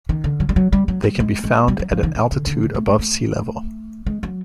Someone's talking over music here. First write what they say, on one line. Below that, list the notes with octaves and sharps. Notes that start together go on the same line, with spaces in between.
They can be found at an altitude of above sea level.
D#3
D3
F#3
G3
F#3
G3
F#3
G3
G#3
G#3
G3
F#3
F3
D#3
D#3
D3
D3
G#3
A3
G#3
A3
G#3
F#3